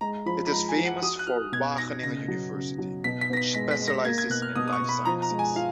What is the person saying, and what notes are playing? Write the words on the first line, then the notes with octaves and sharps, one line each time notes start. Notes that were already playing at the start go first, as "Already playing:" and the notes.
It is famous for Wageningen University, which specialises in life sciences.
G#3 A#5
F3 B5
B5
G#3 A#5
G#5
F3
F#5
F#4 D#6
F#6
F#4 F6
B2 G#6
D#4 A#6
C#3 A#6
F#3
C#3
F#3
B2 B6
B6
B3 A#6
B6
G#3 B6
B6
G#3
A#6
A#3 G#6
G#6
B2 F#6
F6
B2 D#6
D#6
C#6
B2
B5
F3 A#5
A#5
G#3
G#5
F4 F5